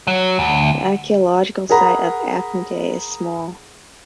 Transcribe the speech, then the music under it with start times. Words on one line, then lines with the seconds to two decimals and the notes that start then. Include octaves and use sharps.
The archaeological site of Aphidnae is small.
0.07 F#3
0.39 D2
1.69 G#4 A#4 F#5 A#5 B5